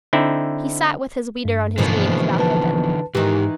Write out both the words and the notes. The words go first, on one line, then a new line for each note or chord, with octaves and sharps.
He sat with his weeder on his knee and his mouth open.
D3 C4 D#4 E4
G2
B2 D3 E3 F3 A#3 A4
B4 A5
G#2 D#3 E3 G4